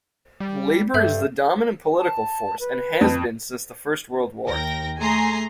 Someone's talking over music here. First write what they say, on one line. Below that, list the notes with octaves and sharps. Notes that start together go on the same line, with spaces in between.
Labour is the dominant political force, and has been since the First World War.
G3
G2 A4 E5 G6
A5
B4
F2
D#2 A#4 G5 A#6
A3 G#4 G#5 A#5 C6 C7